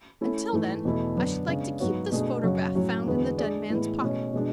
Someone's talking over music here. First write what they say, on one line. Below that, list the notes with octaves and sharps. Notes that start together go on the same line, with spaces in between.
Until then I should like to keep this photograph, found in the dead man's pocket.
A3 C#4 E4 A4
G#2 E3 A3
E2 B2 A3 E4 A4
F#2 D3 F#3 B3 D4
C#3 G#3 B3 D4
G#2 F#3 B3 F#4 C#5
B2 A3 D4 G#4
F#2 C#3 F#3 C#4 F#4
A2 F#3 C#4 F#4 C#5
E2 D3 G#3 B3 F#4
G#3 D4 G#4 D5
A2 E3 G#3 B3 E4
B2 A3 C#4
B2 G#3 D4